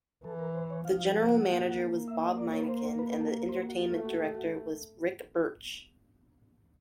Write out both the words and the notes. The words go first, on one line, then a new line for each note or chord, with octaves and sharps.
The General Manager was Bob Miniken and the Entertainment Director was Ric Birch.
E3 A4
A#4
C5
C#5
F3 F5
G5
F#5
A#3
E5
D#5
D5
C#5
B4
C5
B4
A4
A#4
C5
F#4
A3 F4
F#4
G4
F#4